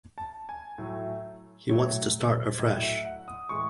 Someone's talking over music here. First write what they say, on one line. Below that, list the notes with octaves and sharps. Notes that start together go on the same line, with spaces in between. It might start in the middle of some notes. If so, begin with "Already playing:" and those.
He wants to start afresh.
A5
G#5
A2 F#3 A3
A2 F#3 A3 C#5
A2 F#3 A3 D#5
E5
F#5
D#6
A2 E3 G#3 C#6